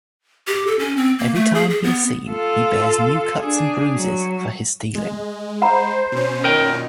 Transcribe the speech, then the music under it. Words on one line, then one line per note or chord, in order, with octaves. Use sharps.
Every time he is seen, he bears new cuts and bruises for his stealing.
G4
A4
C#4
C4
A#3
A3
G#4
G#4
B3
F4 A4
D4 G#4
F#3
G#3
C5 F#5 A#5 B5
B2 C#4
F#2 A#2 D#3 A#4 G5